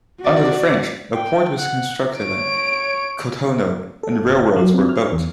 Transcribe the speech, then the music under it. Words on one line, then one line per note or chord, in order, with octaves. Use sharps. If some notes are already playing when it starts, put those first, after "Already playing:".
Under the French, a port was constructed at Cotonou, and railroads were built.
F#4 D5
G5
F#5
C#5 D7
A4
G1
F5
F#3
C4
F6
E2